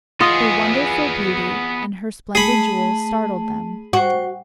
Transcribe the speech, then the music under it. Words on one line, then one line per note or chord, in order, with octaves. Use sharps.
Her wonderful beauty and her splendid jewels startled them.
B3 F4 G#4 D#5
A3 G#4 A5 B5
F#4 C5 G5 C#6